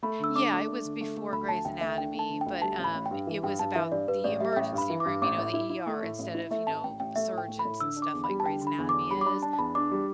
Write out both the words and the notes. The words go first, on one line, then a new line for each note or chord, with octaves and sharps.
Yeah, it was before Grey's Anatomy but, um, it was about the emergency room, you know, the ER instead of, you know, surgeons and stuff like Grey's Anatomy is,
A3 B5
D3 E6
D4 D6
A3
D4
D3
A3
A3
D2 B5
D2 A5
D2 G5
A3 E5
D4 G5
A3
A5
D3
G5
D2
G3 A5
A1
B5
A1
G5
G2
E3
G2 G5
G2 A5
E3 E5
G2 D5
G2 B4
A1 D5
G3 E5
E5
A1 G5
G2
B5
E3
D6
G2
A1 D6
A2
E4
E4
A3
A2
A1
E4
A3 E5
A1 A5
A1 G5
A1 G5
A3 E5
A2
G5
A3
B5
A2
D3 E6
D4
D6
E2
B5
G3
A5
D3 G5
D3
B5
E2
D4 D6
G3 B5
D6
D4 B5
D4 A5
A5
E2 B5
D4 D6
G3